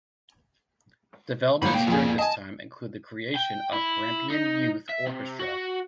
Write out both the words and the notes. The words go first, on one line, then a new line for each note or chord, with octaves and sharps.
Developments during this time include the creation of Grampian Youth Orchestra.
G1 G#2 A#3 B5
B2 A#3 G5
F2 G#4
D#5 G#5 A5
G5
E4
D#4
E5
C3
F#4